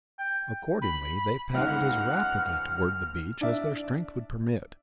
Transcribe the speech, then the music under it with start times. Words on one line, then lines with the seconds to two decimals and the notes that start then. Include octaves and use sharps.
Accordingly they paddled as rapidly toward the beach as their strength would permit.
0.18 G5
0.81 B5
1.55 C#2 G#2 D#4 F#5 F6
3.41 D4 D5 E5